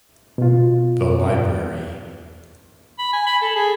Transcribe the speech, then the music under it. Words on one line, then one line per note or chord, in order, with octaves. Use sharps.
The Library.
B2 F4
B5
G#5
B5
A4
G#4